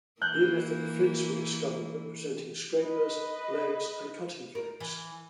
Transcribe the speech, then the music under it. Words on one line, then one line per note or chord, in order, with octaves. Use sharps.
Neolithic flints were discovered, representing scrapers, blades and cutting flakes.
E3 A#3 F#6 G6
B4 D#5
A#4
E3